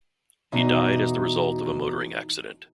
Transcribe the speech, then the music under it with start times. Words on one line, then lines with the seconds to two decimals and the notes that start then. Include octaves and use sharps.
He died as the result of a motoring accident.
0.52 E2 B2 D#4